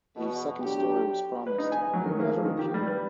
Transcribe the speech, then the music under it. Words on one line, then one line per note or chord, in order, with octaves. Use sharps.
A second story was promised, but never appeared.
E2 B2
A2 F#3 D4 G4
B4
D#4
G#5
F#3
D#3
A#3
F3
D#3
G4
G3
B4